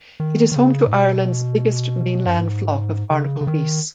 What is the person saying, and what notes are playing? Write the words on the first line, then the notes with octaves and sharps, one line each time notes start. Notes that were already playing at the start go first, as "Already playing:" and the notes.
It is home to Ireland’s biggest mainland flock of barnacle geese.
D#3
D#3
C#3
G#2
B2
F#2
G#2
C#3
C#3
D#3